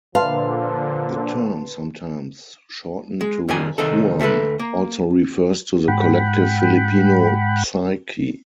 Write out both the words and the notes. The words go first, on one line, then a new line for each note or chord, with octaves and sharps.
The term, sometimes shortened to "Juan", also refers to the collective Filipino psyche.
A#2 D3 F3 B4 F5 A5 C6
G#3
F2 D#3 G3 A#3 G#5
C2 D#3 D#4 A4
D2 A3 F4 A4 B4
A#3
G#2 F#5 G5 B5